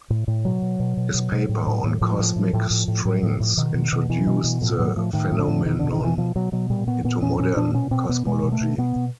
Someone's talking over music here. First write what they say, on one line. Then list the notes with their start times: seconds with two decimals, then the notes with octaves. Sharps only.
His paper on cosmic strings introduced the phenomenon into modern cosmology.
0.10 A2
0.28 A2
0.45 B2 F#3
0.62 B2
0.80 B2
0.97 B2
1.14 B2
1.32 B2
1.49 A2
1.67 A2
1.84 A2
2.01 A2 F3
2.19 A2
2.36 A2
2.53 A2
2.70 A2
2.88 A2
3.05 A2
3.23 A2
3.40 A2
3.57 B2 D#3
3.74 B2
3.92 B2
4.09 B2 E3
4.27 B2
4.44 B2
4.61 A2 F3
4.79 A2 F#3
4.96 A2 F3
5.13 A2 D#3
5.32 A2
5.39 D3
5.48 A2
5.66 B2 D#3
5.79 B2 D3
5.92 D#3
6.00 B2 E3
6.17 B2 F3
6.36 B2 F#3
6.52 B2 F#3
6.70 A#2 G3
6.87 A#2 B3
7.04 A#2 B3
7.22 A#2 C#4
7.40 A#2 C#4
7.56 A#2 D4
7.74 B2 C#4
7.91 B2 C4
8.09 B2 B3
8.26 B2 G#3
8.43 B2
8.52 A3
8.61 B2
8.78 B2 B3
8.96 B2